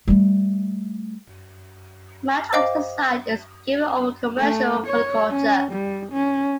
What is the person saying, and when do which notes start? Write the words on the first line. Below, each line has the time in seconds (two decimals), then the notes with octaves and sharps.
Much of the site is given over to commercial horticulture.
0.08 G3 A3
2.53 C5 D#5 F5 G5 D6
4.38 A3
4.87 C#5
5.31 C#4
5.72 G3
6.12 C#4